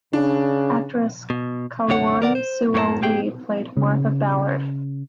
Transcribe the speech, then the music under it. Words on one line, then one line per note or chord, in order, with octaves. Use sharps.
Actress Kaluani Sewell Lee played Martha Ballard.
C#3 D4
B2
C2 F#2 D3 C#5 F#5
D2 A#4 D5 F#5
C5
F#2 A2 A#3 C#5 A5 A#5
G#2 A#3 G4 G#4 G5
C#3